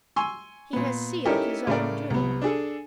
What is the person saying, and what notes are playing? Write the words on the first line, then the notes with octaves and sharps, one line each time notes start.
He has sealed his own doom.
G#5 C6 C#6 E6
A#2 B3
C#4 D#4 E4 G4 A4 A#4
A2 C#3 A#4 D5
C2 B3
D4 G#4 A4